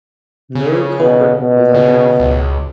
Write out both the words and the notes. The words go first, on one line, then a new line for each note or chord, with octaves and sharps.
No culprit was identified.
C#3
B2
B2
C#3
C#2